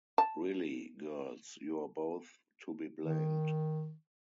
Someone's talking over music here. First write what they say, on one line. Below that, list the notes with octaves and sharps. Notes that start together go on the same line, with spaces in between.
Really, girls, you are both to be blamed.
A5
D#3